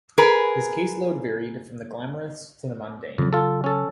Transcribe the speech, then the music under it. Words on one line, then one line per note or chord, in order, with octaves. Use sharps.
His case load varied from the glamorous to the mundane.
G#4 A#4 B4
F2 C#3 F#3
F4 A4
C#4 A4